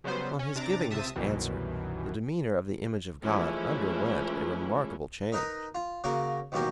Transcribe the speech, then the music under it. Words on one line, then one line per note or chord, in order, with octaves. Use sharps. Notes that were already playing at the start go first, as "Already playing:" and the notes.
On his giving this answer the demeanour of the image of God underwent a remarkable change.
C#3 F#3 G3 B3 C5
C#4
C3 D4 A#5 D6 A6
C#2 C3 C4 E5 A5 D#6
C2 F#2 B2 D#3 E3
E3 F3 G#3 A3 C#4 E4
D#4 A#4 B4 D#5
F4
C#3 A#3 F#4 A#4
A1 D#2 B2 F#3 G4 A#4